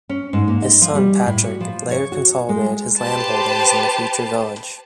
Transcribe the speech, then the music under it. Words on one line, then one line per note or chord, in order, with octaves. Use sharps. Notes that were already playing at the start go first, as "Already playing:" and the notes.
His son, Patrick, later consolidated his land holdings in the future village.
C#4
G#2
A#3
D#5
F3
G3
A2
F#4
F3
C#5
F#4
G#3
G4 B4 C5 A5